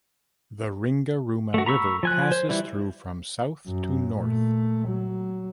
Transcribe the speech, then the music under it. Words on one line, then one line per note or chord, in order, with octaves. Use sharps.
The Ringarooma River passes through from south to north.
A3 F#4
A#5 B5 C#6 E6
F3 G#5 F#6
C5
E3 G3 E4
F#2
A#2 A3
F#3